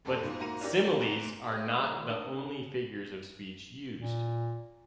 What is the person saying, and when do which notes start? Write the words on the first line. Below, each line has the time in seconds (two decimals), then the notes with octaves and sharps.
But similes are not the only figures of speech used.
0.05 F1 F#2 A#2 A4 D5
0.23 G#2 B2 F3
0.39 G#2 A#3 F#4 A#5 D#7
0.61 C#4 D4 E4 G4 A#4 D5
0.85 F2
1.00 G#2 C3 A3 G#4 A#5 D7
1.50 G4 C5 D#5 G5
1.67 C#2 G#2 E4 G#4 D#6
1.79 C2 A#2 G3 G#4
1.93 C2 F#2 D#3 A3 E4 C6
2.09 C#2 G#2 D4 A#4 D#6
3.97 A#2